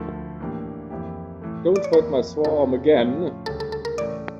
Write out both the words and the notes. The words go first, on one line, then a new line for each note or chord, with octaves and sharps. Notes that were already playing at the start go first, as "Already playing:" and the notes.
Don't hurt my sore arm again.
Already playing: D2 D3 F3 A3 E4 A#4
A2 E3 A#3 D4 G4
F2 E3 A#3 E4 G4
A2 E3 A3
D5
C#5
F2 E3 A#3 E4 A#4
F2 C#3 F3 C#4 F4 A4
A2 F3 C#4 F4
D2 C#3 G3 C#4 G4 A4
A4
A4
A#4
A2 E3 A3 C#4 D5